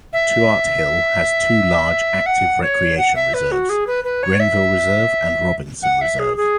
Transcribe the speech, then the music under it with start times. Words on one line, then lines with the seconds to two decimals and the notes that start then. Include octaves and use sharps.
Tuart Hill has two large active recreation reserves: Grenville Reserve and Robinson Reserve.
0.13 E5
2.26 F#5
2.62 C#5
2.98 F#5
3.15 E5
3.34 B4
3.52 F#4
3.69 G#4
3.87 B4
4.04 B4
4.23 C#5
4.40 E5
5.83 F#5
6.01 E5
6.19 G#4
6.37 G#4